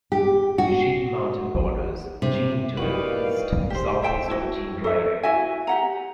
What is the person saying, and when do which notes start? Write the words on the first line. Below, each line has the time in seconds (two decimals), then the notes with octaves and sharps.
Sheep Mountain borders Jean to the east, southeast of Jean Dry Lake.
0.12 G4
0.58 F#4
2.22 C3
2.77 D#4 E4 F#4 G4 A#4 B4 D5 F5
3.70 G4 C5
4.02 C5 E5 G5 A5
4.28 E4 F#4
4.84 A4 E5
5.23 E4 F#4 E5 G#5
5.67 G4 F#5 A#5